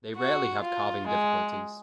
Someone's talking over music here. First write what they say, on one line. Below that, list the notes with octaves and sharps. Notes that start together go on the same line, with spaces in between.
They rarely have calving difficulties.
F#4
F4
G#3